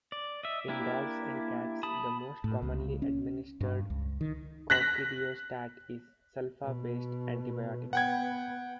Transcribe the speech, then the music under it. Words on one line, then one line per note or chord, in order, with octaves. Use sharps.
In dogs and cats, the most commonly administered coccidiostat is sulfa-based antibiotics.
D5
D#5 E5
A#3 D4 E4 G4 A#4
A5 B5 D#6
A2
C#2
C#4
G2
C#2
D#3
F#6 A#6 B6 F#7
B2
B3 F#5 G5 G#6